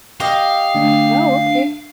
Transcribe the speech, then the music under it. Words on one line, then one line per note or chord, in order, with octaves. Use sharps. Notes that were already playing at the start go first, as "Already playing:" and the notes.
Oh, okay.
G4 D#5 F5
D3 A3 D4 D5